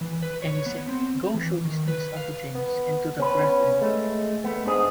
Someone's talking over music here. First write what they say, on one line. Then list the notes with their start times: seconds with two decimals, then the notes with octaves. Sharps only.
And he said, Go show these things unto James, and to the brethren.
0.01 E3
0.22 B4
0.42 C#5
0.66 B3
0.89 C4
1.34 E3
1.65 D#3
1.88 B4
2.17 F5
2.55 B3
3.19 B3 C#4 B4
3.81 G#3 A3
4.44 A3 B3
4.66 G#2 D4 G#4